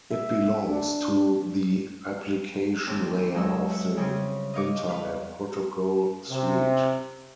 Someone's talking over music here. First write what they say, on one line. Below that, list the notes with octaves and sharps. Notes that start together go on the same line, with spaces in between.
It belongs to the application layer of the Internet protocol suite.
E5
D4
D#2 C4 E4
F#3 G#3 E6
E5 F#5
C#3 G3 C4 C#4
D#5 F5 C#6 D6
B4 F5
C3